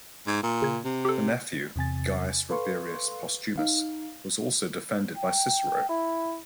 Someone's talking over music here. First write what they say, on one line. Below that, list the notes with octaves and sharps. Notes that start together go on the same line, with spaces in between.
A nephew, Gaius Rabirius Postumus was also defended by Cicero.
G#2
A#2
C#3 G#6
C3
G4 A4
E2 C3 G#5 A6
A4 B4 F5 C6 C#6
D#4 F5
G5
E4